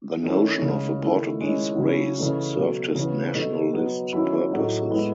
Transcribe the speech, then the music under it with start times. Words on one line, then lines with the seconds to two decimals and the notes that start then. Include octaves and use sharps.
The notion of a Portuguese "race" served his nationalist purposes.
0.23 D#3 A3 C#4 E4
0.62 C#3 G#3 D#4
1.01 D#3 A3 E4
1.40 D#3 G#3 C#4 E4
1.78 C#3 F#3 C#4 E4
2.18 C#3 E3 A3 D#4
2.57 B2 F#3 A3
2.95 C#3 E3 B3
3.34 B2 A3 D#4
3.73 F#3 B3 D#4
4.13 D#3 F#3 C#4 E4
4.51 A2 F#3 A3 D#4
4.90 A2 G#3 B3 E4